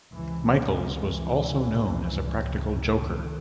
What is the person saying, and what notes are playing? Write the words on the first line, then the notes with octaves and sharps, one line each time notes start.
Michels was also known as a practical joker.
C#2 C3 E3
E3
C#2 C3
D#3